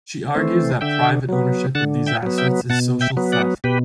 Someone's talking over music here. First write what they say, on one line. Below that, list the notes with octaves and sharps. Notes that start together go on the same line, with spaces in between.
She argues that private ownership of these assets is social theft.
E3 A3 C4
D3 E5 G5
F#3 B3
D3 F#5 A5
E5 G5
F#3 B3
E5 G5
B2 F#5 A5
E5 G5
F#3 B3
D5 F#5
B2 G4 B4